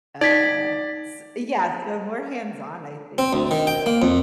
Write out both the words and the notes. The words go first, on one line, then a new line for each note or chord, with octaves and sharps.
uh, s yeah, so more hands-on, I think, is the
D#4 D5 G#6 B6
C4
D2
D#3
G5
A#3
F2